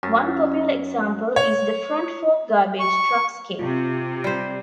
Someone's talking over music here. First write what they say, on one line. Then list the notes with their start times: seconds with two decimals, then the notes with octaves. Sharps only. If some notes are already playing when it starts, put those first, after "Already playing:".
One popular example is the front fork garbage truck scale.
0.03 F#2
1.36 C#5
2.80 C#6
3.59 C3 F4
4.24 G3 C5